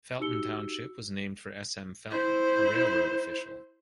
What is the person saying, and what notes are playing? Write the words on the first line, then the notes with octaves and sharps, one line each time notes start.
Felton Township was named for S. M. Felton, a railroad official.
D#4 F#4 G4 E6 C#7 G7
E4 C5